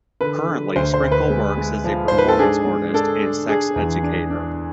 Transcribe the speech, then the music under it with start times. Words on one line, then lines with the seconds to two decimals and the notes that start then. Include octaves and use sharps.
Currently, Sprinkle works as a performance artist and sex educator.
0.21 D3 B4
0.48 D3
0.76 D2 C5
0.94 C5
1.03 D2
1.11 B4
1.30 G#3
1.57 G#3
1.84 F3
2.08 G#2 C5
2.18 B4
2.28 A4
2.39 D4 G#4
2.66 G#3
2.94 D4 A4
3.22 D4
3.49 D4 G#4
3.76 E2
4.03 D4
4.30 D4